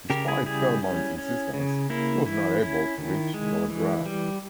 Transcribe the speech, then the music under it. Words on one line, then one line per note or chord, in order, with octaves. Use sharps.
Despite Felman's insistence, he was not able to reach Belgrade.
C#3 G4 A#4
E4 G#4
G3 E4 G#4
C#4
C#4
C#3
A#3 E4
E3 E4
C#4 E4
D#3
G#3
E3
G3